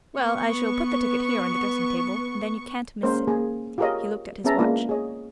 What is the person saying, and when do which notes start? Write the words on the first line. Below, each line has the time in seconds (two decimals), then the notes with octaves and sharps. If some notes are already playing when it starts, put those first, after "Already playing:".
"Well, I shall put the ticket here on the dressing-table, and then you can't miss it." He looked at his watch.
0.18 B3 C#6
3.03 G#3 A#3 C#4 A#4 C5
3.27 A#3 G#4
3.78 F4 G4 G#4 A#4 C#5 D#5
4.44 B3 C#4 G#4 E5 A5 A#5
4.58 G#3 A#3 D4 F4
4.89 G#4 C#5 D#5